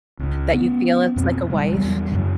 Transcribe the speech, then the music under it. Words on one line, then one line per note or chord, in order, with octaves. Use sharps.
that you feel as like a wife,
C#2 C#3
B3 C#4
F2 B2
D#1 C#3 G3 G#3
E2 F#3 G3
F#2 C#3